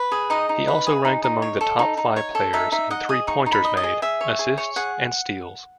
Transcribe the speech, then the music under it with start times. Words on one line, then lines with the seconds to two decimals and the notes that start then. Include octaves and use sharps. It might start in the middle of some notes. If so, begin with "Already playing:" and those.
He also ranked among the top five players in three-pointers made, assists, and steals.
Already playing: B4
0.12 G#4
0.30 D#4 D#5
0.49 D#4
0.68 B4
0.87 G#4
1.05 D#4
1.24 D#4
1.42 C#5
1.61 A4
1.79 D#4
1.97 D#4
2.16 C#5
2.35 A4
2.53 D#4 E5
2.72 D#4 E5
2.90 D#5 F#5
3.09 G#4 D#6
3.27 D#4 C#6
3.46 D#4
3.52 B5
3.64 D#5
3.77 D#5
3.84 G#4
4.02 G#4 E5
4.21 C#5
4.39 G#4
4.57 C#5
4.76 G#4 F#5